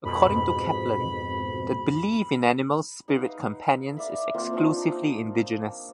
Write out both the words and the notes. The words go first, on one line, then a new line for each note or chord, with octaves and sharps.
According to Kaplan, the belief in animal spirit companions is exclusively indigenous.
F2 G#2 B2 B5
D#4 B4 F5 F#5
D5 E5 F5 B5
A#3 C4 F4 F5
F3 D4 D#4